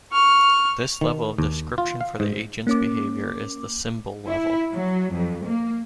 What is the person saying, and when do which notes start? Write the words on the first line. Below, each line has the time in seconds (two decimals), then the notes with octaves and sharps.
This level of description for the agent's behavior is the symbol level.
0.12 C#6 F6
1.01 D#3
1.38 D#2
1.78 F4
2.01 F5
2.20 G#2
2.67 A#3 C#4 D6
4.27 E4
4.74 F#3
5.14 F2
5.46 A#3